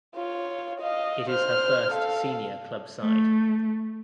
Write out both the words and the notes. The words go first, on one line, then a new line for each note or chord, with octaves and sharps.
It is her first senior club side.
F4 C#5
D#5 F5
C5 F6
A4 F5
A3